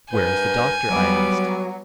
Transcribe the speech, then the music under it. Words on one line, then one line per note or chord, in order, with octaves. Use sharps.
"Where is the Doctor?" I asked.
G2 A#4 B4 G#5 G6
F#3 G3 B3 D6